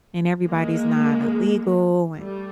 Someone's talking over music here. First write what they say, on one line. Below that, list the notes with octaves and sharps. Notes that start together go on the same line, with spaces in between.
and everybody's not illegal, and
G#3 A#3
G3 A3